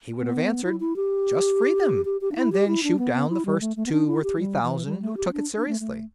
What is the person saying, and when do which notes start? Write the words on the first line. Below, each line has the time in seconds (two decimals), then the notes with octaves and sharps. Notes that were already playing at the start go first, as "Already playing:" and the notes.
He would have answered, Just free them, and then shoot down the first two or three thousand who took it seriously.
0.18 B3
0.64 E4
0.80 E4
0.96 G4
2.05 G4
2.21 G4
2.31 D4
2.36 E4
2.52 G4
2.68 E4
2.83 D4
2.99 B3
3.14 B3
3.29 E4
3.45 G3
3.61 A3
3.76 A3
3.86 B3
3.92 D4
4.07 E4
4.23 G4
4.39 G3
4.63 E3
4.86 G3
5.02 A3
5.17 G4
5.28 B3
5.33 D4
5.57 D4
5.68 A3
5.80 A3